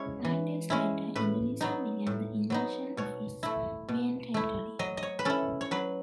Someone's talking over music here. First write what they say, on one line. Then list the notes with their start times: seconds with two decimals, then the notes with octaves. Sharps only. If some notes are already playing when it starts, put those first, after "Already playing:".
Nine days later, Indonesia began the invasion of its main territory.
Already playing: G#3 C#4 E4 C#5
0.25 E3
0.70 G#3 C#4 E4
1.16 A2 B4
1.61 F#3 B3 D#4
2.07 A2
2.50 F#3 B3 D#4
2.97 B2 C#5
3.43 A3 E4
3.89 B2
4.34 A3 E4
4.79 F#3 D#5
4.97 D#5
5.03 C#5
5.19 B4
5.25 C#4 E4 A4
5.61 C#5
5.71 F#3 B4